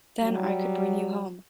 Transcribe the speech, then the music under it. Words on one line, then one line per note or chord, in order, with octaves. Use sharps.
Then I could bring you home.
F#3 G3